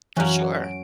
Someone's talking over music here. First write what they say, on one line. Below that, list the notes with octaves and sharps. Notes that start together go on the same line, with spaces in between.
For sure.
F#2 E3 C#4 F#4
D7